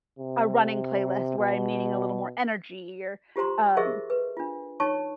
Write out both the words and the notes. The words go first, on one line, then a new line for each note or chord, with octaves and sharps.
a running playlist where I'm needing a little more energy or, um
C3
B2
F4 G4 C5 A#5 C6
G#4 A#4 C5 D#5 E5 C#6
B4
D4 F4
D#4 C#5 A5 C#6